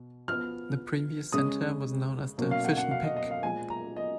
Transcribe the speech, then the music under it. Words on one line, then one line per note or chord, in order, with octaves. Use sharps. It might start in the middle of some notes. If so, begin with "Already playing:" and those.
The previous center was known as the "Fish N Pic".
Already playing: B2
F3 B3 F6
C#3 G#3 C#4 D#6
B2 F#3 A#3 C#4
F5
F#5
F#5
F5
D#5
D#5
F5
A#2 F3 G#3 G#5
A#5
D#5